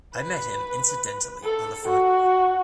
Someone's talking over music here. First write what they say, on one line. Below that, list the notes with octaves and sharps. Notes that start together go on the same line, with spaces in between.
I met him incidentally on the front.
B4
A4
F#4